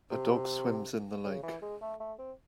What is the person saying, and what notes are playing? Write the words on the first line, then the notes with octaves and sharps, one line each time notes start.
A dog swims in the lake.
C3
C#3
E3
G#3
A3
A3
C4